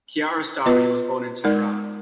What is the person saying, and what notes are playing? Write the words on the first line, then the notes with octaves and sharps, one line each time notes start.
Kiarostami was born in Tehran.
B3 F4 B4 D#5
G#3 D#4 A#4 D5